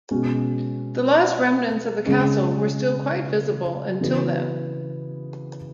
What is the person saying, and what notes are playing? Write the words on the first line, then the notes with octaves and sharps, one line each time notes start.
The last remnants of the castle were still quite visible until then.
B2 G#3 C#4 F#4
C#3 G#3 C#4
C#3 E3 B3 F#4